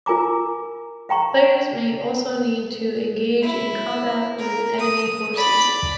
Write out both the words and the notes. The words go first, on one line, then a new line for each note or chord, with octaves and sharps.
Players may also need to engage in combat with enemy forces.
F4 A#4 G#5 A#5 D6
F5 G5 A#5 C#6
E4
A#4
D#6
D5 B5